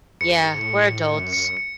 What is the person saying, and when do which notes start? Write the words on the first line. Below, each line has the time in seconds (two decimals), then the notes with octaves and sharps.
Yeah, we're adults.
0.21 E2 C#7
0.32 F#2
0.46 G#2
0.58 A2
1.20 F#2
1.33 C#7
1.37 F#2
1.45 C#7
1.57 C#7